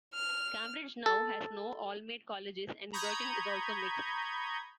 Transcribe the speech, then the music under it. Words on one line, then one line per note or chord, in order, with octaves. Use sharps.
Cambridge now has no all-male colleges and Girton is also mixed.
F6
A4
A#5 B5 C#6 D#6 G6 G#6